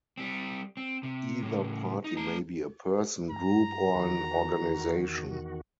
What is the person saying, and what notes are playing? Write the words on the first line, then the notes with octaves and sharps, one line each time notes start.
Either party may be a person, group, or an organization.
G3 C4
C4
C3
A2 C#3
D#4
A3 A#5
G2 A#5
E2 D#3 F#4